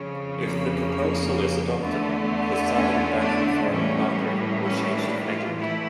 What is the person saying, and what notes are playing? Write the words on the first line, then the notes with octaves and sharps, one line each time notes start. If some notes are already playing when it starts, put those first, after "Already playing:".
If the proposal is adopted, the southern Burnhamthorpe boundary would change to Eglinton.
Already playing: F2 C#3 F3
A#3
E2 D3 A3
C#4
D4
A2 E3 G3 A#3 C#4
C#4
D4
F4
A2 E3 A3 E4